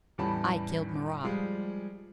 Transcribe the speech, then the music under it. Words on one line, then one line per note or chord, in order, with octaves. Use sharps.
"I killed Marat!"
E2 A2 G3 C#4 A5 B5
F3 G3 G#3 F4